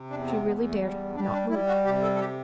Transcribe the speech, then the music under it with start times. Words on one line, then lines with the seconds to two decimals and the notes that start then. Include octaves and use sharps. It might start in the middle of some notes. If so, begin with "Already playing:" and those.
She really dared not move.
Already playing: C3
0.10 E2 D4
0.27 C4
0.45 E2 B3
0.68 A3
0.80 G3
1.15 G3 D4
1.33 D4
1.50 G3 E4
1.67 F#4
1.85 C3 G4
2.02 A4
2.14 A4
2.20 G4